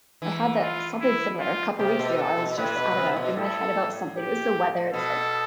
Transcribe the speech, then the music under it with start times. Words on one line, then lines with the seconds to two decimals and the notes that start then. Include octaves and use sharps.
I had that something similar a couple weeks ago, I was, just, I don't know, in my head about something. It was the weather, it's, like
0.22 E3
0.61 F4
1.01 E4
1.40 F4
1.79 C3 G4
1.99 B2
2.18 A4
2.38 B2
2.58 A2 B4
2.77 B2
2.91 B2
2.97 C3
3.16 B2
3.36 A2 A4
4.15 G4
4.93 B2 A4